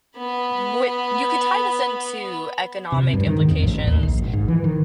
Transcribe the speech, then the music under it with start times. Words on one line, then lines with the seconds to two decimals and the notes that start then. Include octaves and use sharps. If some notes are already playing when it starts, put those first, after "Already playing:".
what you could tie this into economic implications,
0.17 B3 B5
2.92 C3
3.13 G2
3.27 D#3
3.39 G#2
3.51 F2
3.62 A1
3.87 D#2
4.03 A#1
4.18 G#1
4.33 G#2
4.48 E3
4.64 D#3